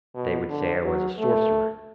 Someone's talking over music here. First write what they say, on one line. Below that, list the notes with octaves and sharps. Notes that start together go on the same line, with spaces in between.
'They would say I was a sorcerer.
B2
D3
F#3
A3